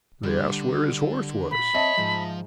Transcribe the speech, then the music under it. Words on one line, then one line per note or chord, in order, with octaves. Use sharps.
They asked where his horse was.
D3 G3
A#2 B5
C4 C#5 D#5 E5 A5
G#2 F3